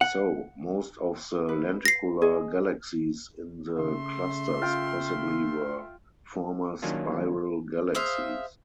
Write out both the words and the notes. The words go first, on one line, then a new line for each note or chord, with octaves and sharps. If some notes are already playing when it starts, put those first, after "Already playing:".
So, most of the lenticular galaxies in the clusters possibly were former spiral galaxies.
F#5
B4
A#6 C7
G#4 D#5
C#3 A3 E5 C6
F4 G5
D#3 F#3 A#3 C#4 D4 F4
G#4 C5 E5 F5